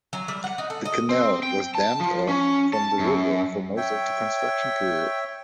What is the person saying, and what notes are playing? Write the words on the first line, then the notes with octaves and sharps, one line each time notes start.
The canal was dammed off from the river for most of the construction period.
F#3
G3
F#5
D#4
A4
D#5
C4
G5
A5
F3
C#4
A5
F#2
C#5 E5 G5